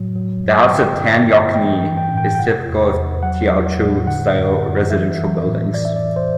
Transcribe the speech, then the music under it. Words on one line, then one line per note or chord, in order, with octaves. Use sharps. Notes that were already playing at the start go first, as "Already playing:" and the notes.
The House of Tan Yeok Nee is typical of Teochew-style residential buildings.
Already playing: A2 F#3
F#3
G2
F#5
D3 G5
G2
G2
E3 G5
E3
G5
A2
G5
G5
C3 F#5
E2
E2
F#3 F#5
F#3
A2
D3 F#5
F#2
F#2
E3 E5
E3
A2
E3 D5
E5
D5
E3
C5